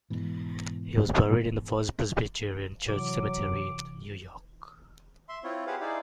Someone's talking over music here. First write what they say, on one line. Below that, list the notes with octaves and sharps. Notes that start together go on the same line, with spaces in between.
He was buried in the First Presbyterian Church Cemetery in New York.
G#2 B2 E3
C3 E3 F#3 D6
E5 C6
C4 E4 F4 C#5
G4 G#4 B4 C5 F5 F#5
D#4 E4 G#4 C5 D5 F5